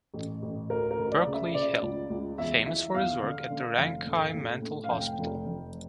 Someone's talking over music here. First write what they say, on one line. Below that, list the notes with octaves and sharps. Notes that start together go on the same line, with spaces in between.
Berkeley Hill, famous for his work at the Ranchi Mental Hospital.
A1
A1
D2 A#4
A#4
D2
D5
C#3
E5
C#3 D5
C#2
C#2
E2 E5
E3 E5
E2 F5
D3
D3
F1
A2
A2
A2
F5
F1 G5
F1
F1